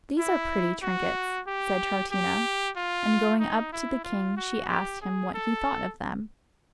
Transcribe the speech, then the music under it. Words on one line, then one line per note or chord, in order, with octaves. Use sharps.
"These are pretty trinkets," said Troutina; and going up to the king she asked him what he thought of them.
E4
F#4
G4
G4
F4
D#4
E4
F4
F#4
G4
G#4
A4